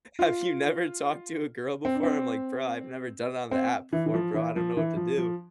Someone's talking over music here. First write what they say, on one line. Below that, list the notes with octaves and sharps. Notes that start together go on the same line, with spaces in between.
have you never talked to a girl before?" I'm like, "Bro, I've never done it on the app before, bro. I don't know what to do."
F4
C4
D4
C4
C4
E3
E3
F3
E3
F3
E3
F3
F3